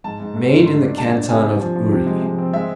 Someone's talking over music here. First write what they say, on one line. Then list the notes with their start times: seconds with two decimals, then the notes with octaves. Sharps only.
Made in the Canton of Uri.
0.04 G#2 A5
0.20 G#2
0.35 A3
0.51 G#2
0.66 A3 C6
0.82 D4
0.98 B2 A5
1.14 D4
1.28 C3 G#5
1.44 C3
1.60 F3
1.76 F3
1.92 C3
2.07 G#3
2.22 G#3
2.38 C4
2.53 G#3 E5